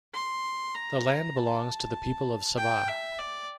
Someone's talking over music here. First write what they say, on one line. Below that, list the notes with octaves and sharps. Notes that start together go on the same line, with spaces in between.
The land belongs to the people of Sabah.
C6
A#5
A5
G5
E5
D5